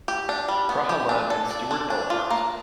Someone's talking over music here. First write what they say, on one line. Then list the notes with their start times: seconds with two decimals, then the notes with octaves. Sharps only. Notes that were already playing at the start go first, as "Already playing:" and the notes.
Prahalad and Stuart L. Hart.
0.08 G4
0.29 D4
0.48 G3
0.69 B3
0.89 G4
1.09 D4
1.30 A4
1.51 D5
1.71 D4
1.90 D4
2.10 F4
2.31 A#3